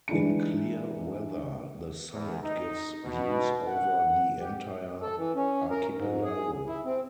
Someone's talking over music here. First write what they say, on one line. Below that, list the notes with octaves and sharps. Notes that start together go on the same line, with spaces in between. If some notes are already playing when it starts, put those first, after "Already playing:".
In clear weather the summit gives views over the entire archipelago.
E3 G#3 D4 D#4 C#7
E2
D#4
B2
F#5
G4
A4
E3
C#4
A#4
G#2
G#4
E4
C4